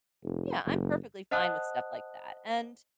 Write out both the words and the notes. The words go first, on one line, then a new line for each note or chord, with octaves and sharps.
Yeah, I'm perfectly fine with stuff like that. And,
F1
F#1
C5 D#5 F#5 A5 D#6 F#6